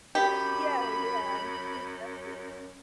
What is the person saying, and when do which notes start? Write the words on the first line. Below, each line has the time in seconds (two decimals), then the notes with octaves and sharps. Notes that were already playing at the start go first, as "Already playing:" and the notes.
Yeah, yeah. Exactly.
0.15 F#2 G4 B5